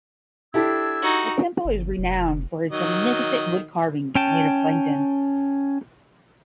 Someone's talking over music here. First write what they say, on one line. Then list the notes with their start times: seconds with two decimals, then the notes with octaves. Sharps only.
The temple is renowned for its magnificent wood carvings made of plankton.
0.54 D4 E4 G4 A4 E6 G#6
1.03 D#4 F#4
1.65 G1
1.99 F1
2.72 D#3 F#3 D#5
4.15 C#4 G5 A5